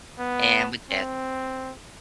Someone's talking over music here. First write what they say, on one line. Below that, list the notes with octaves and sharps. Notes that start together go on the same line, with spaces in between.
And would just
B3
C4